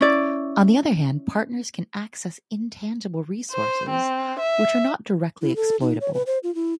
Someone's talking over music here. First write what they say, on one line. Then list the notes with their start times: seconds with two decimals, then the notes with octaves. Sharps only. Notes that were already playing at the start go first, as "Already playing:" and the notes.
On the other hand, partners can access intangible resources, which are not directly exploitable.
0.01 C#4 E4 D5
3.51 C5
3.89 C4
4.39 E5
5.42 E4
5.56 A4
5.81 D#4
6.01 C#5
6.14 B4
6.27 C5
6.43 F4
6.55 E4